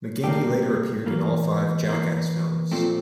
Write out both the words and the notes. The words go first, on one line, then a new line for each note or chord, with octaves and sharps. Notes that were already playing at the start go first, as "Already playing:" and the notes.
McGhehey later appeared in all five "Jackass" films.
A2 G3 A#3 G4
E3 A#3
E3 A#3
A#2 F3 A3 C4